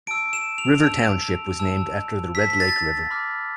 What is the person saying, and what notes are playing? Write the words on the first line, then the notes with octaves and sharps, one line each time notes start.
River Township was named after the Red Lake River.
A5 E6 D7
E7
F7
A5 E6
A5 E6
A5 E6 B6
B6
A6
B5 D6 F6